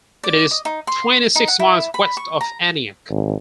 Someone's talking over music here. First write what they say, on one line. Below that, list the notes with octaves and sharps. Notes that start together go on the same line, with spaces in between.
It is twenty-six miles west of Aniak.
D5
D#5
D#4
C6
D#4
F#5
E4
B5
C#6
A#5
G#1